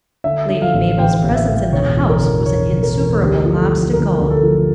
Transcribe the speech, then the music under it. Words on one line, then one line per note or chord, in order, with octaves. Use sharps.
Lady Mabel's presence in the house was an insuperable obstacle.
D3 E5
D3
F5
A1
A1 G5
A1
E5
A1
E1 C#5
E3
A#4
E1
E1 C#5
E1
A#4
E3
D2 G4
F3
A4
F3
D2 A#4
D2
A4
F3